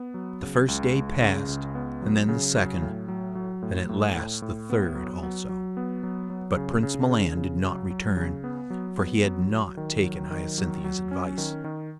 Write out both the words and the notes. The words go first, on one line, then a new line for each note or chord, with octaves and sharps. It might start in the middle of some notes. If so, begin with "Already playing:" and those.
The first day passed, and then the second, and at last the third also, but Prince Milan did not return, for he had not taken Hyacinthia's advice.
Already playing: B3
F#3
C#3
C#2
C#2
C#3
C#2
B3
F#3
C#3
F#3
A2
F#3
F#3
A2
A2
A2
A2
B3
F#3
F#3
F#3
B3
F#3
F#3
C#3
C#3
C#3
C#3
F#3
F#3
C#3
B3
F#3
B3
F#3
F#3
D#3
F#3
D#3
F#3
F#3
C#4
D#3
D#3